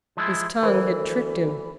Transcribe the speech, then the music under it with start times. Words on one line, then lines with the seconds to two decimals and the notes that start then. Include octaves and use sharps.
His tongue had tricked him.
0.17 F3 G#3 E4
0.63 D2 E3 A#4 C5